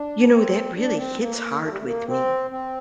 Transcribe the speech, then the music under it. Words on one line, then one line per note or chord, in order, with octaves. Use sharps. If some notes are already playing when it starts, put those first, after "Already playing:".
you know, that really hits hard with me.
Already playing: D4
C4
D4
A#3
C4
A#3
A3
G3
A3
A#3
C4
C4